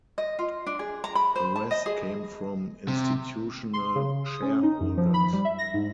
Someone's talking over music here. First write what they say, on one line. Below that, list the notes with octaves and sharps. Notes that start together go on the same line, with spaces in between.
The rest came from institutional shareholders.
D#5
F4
D4
G#4
A#5
B5
C5
A5
D#5
G#4
C3
C6
C#3
D#6
C#4
D#4
F#2
F3
B5
G3
E5
A#6
G#2